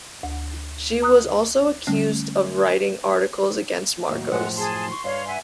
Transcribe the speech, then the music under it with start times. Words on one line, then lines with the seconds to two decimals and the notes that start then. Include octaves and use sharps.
She was also accused of writing articles against Marcos.
0.23 D2
1.02 A#5 D#6 F#6
1.87 D3 G3 A3 C#4
4.08 D#2 A2 F#3
4.32 F#2 A2 F3 G#3 F#5
4.57 G#4 A5 C6
4.90 C#6
5.04 G2 C#5 F5
5.27 E5 F#5 G#5